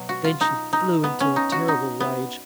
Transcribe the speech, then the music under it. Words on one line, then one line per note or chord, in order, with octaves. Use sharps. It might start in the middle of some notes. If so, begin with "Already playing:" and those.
Then she flew into a terrible rage.
Already playing: B2 F#3
F#4
F4
D#4
D#4
B3
C#4
D#4
F#4
D#4
B3